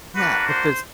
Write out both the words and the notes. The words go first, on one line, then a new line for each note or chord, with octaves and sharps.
Yeah, if there's
A#3 D4 F#4 B4
C5